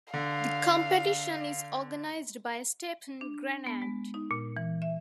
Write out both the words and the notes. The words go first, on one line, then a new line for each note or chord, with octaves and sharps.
The competition is organized by "Stephen Granade".
D3 F5
D4
B3
G#3
D#4
A#2
E3
E5